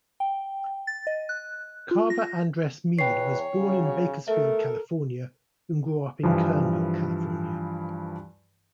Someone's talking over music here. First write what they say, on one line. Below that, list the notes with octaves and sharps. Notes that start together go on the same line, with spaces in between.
Carver Andress Mead was born in Bakersfield, California and grew up in Kernville, California.
G5
A6
D#5
F#6
F4
A#6
E2 B4 C#5 G5 C7
C#3 F#3
A3 A4 A#4 E5
G2 E3 F3